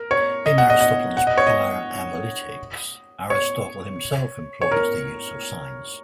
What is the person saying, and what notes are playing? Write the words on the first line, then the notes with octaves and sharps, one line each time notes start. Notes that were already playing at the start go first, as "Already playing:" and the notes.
In Aristotle's "Prior Analytics", Aristotle himself employs the use of signs.
Already playing: A#4
C#5
D#5
F#5
D#5
D#5
F#5
D#5
C#5
D#5
C#5
C#5
A#4